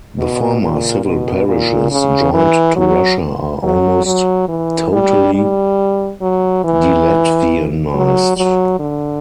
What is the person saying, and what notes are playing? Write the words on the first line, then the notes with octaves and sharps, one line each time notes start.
The former civil parishes joined to Russia are almost totally delatvianized.
B2
A#2
B2
A#2
C#3
E3
F#3
F#3
F#3
E3
G3
G3
F#3
E3
F#3
F#3
D3